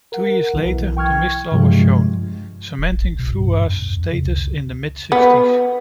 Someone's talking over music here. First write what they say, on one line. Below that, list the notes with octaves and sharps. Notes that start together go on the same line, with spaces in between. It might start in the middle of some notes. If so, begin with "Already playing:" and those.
Two years later, the Mistral was shown, cementing Frua's status in the mid-sixties.
A#4 F#5
B1 E3
G5 C#6 F6 G#6
G2 C3 F3 G#3
D#1
A1
B1
B2
G2
G2
F2
F2
C#3
C#2
B3